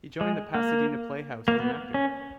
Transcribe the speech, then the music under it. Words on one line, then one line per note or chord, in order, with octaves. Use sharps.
He joined the Pasadena Playhouse as an actor.
G#3
A#3
A#3
B3
C#4